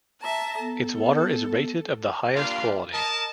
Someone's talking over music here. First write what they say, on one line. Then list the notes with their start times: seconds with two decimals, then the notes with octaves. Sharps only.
Its water is rated of the highest quality.
0.21 E5 A5 A#5
0.60 B3 A4
2.35 G3 A#3 D4 F4 F5
2.92 A#4 D#5 A5